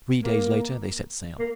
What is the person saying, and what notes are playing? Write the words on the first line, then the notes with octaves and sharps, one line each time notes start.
Three days later they set sail.
A#3
A#3